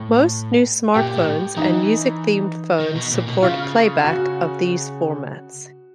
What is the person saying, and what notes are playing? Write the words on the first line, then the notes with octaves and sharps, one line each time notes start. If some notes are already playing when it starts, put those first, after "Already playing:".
Most new smartphones and music-themed phones support playback of these formats.
Already playing: A2
A#2 G4
A2
E3 D#4
D#3
B2
A#2
B2
C#3 F4
F#4